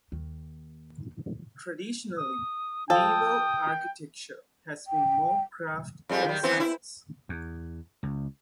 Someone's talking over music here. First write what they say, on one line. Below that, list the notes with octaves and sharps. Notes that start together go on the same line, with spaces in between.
Traditionally, naval architecture has been more craft than science.
D#2
D#6
F3 A4 G5 D#6
G5
F2 G3 G#3
D#3 G3
E3 B3 C4
E4
E2
C#2